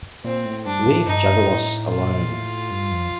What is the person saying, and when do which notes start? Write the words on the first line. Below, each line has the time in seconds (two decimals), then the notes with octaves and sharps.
Leave Juggalos alone!
0.24 A#2 C4
0.45 A2
0.66 G2 D4
0.86 A2
1.06 G2 D#4
1.48 A2
1.88 A#2 F4
2.31 A2
2.71 G2
2.91 F2